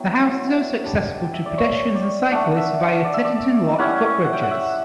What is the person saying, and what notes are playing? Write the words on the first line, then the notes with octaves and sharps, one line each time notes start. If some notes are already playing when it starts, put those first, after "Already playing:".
The house is also accessible to pedestrians and cyclists via Teddington Lock Footbridges.
Already playing: F#3 B3 E4 G5
G3 D4
G5
E5
D5
C#5
D5
A3 D4 F#5
F#5
E5
D5
E5
D5
G3 C#4 E4 F#5
F#5
G5
F#5
E5